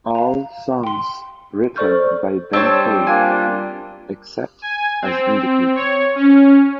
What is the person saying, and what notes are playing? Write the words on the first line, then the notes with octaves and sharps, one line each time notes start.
All songs written by Ben Folds except as indicated.
F5 A#5
G5 C6
A4 C5 D5 C#6 F6 G6
G3 C4 D4 C#5 A5
A#3 D4 F4 G#5
G#5
C4
C#5
C#4